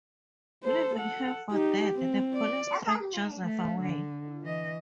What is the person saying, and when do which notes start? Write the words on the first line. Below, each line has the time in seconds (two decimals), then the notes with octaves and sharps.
Leaving her for dead, the police drag Joseph away.
0.64 A4 C5
0.96 A4 F#5
1.52 D#4 G4
1.95 C4
2.35 D5
3.43 A3
3.82 D3
4.43 E3 D#5